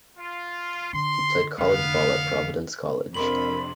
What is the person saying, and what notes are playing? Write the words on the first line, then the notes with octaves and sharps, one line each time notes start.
He played college ball at Providence College.
F4
D3 C6
F1 D3 B3 F5
F2 C3 D4 A#4 B5 C6 F#7